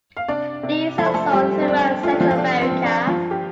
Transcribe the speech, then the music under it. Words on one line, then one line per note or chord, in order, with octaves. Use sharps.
These are sold throughout Central America.
F5
C3 D4 D5
C3
F3 A4
C5
A3 A4
G3 A3 G4
C4
A3 D4
A3 F4
D4
F3 F4
F4
C3 D4
C4
F3
D4
G2 F3 F4
G4